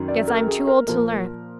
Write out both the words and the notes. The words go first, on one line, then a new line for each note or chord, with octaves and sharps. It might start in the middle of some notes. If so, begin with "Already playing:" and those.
Guess I'm too old to learn.
Already playing: F#2 D#3 F#3
D5
A#4
G#4
A#4
A#2 F3 A#4